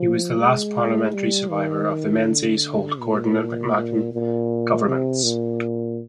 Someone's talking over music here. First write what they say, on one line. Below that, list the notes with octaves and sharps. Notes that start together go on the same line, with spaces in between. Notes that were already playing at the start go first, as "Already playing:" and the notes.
He was the last parliamentary survivor of the Menzies, Holt, Gorton and McMahon governments.
Already playing: F3
G#3
G3
D#3
D3
A#2
A#2
A#2
C3
A#2